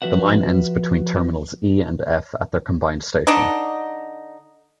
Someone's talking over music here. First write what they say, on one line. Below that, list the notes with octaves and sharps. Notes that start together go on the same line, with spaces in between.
The line ends between terminals E and F at their combined station.
F3 F#4 B4 E5 F#5
D3 D4 D#4